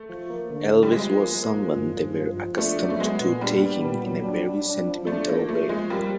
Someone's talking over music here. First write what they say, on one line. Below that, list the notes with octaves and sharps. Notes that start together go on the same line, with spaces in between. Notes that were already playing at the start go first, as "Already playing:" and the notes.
Elvis was someone they were accustomed to taking in a very sentimental way.
Already playing: A3
F3
A#3
D3
D3
G3
F3 G#3
A#3
A#3
F3
G2
G2
F3
F3
A3 D4
F#3
A3
G#3 B3
A#2
G3 D4
B3
A#2
F#3
D4
D4
D4
F3
A3 D4
F3 A#3
F3 A3
F3 G#3
G3 A#3